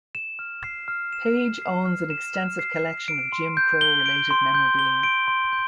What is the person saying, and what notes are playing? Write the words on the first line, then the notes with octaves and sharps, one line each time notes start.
Page owns an extensive collection of Jim Crow-related memorabilia.
E7
F6
C7
F6
E7
F6
C7
F6
E7
F6
C7
F6
D7
C6
G6
G7
D7
C6
G6
G7
D7
C6
G6